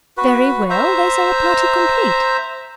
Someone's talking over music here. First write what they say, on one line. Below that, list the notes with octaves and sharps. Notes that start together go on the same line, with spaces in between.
Very well; there is our party complete!
F#4 B4
C5 E5 A#5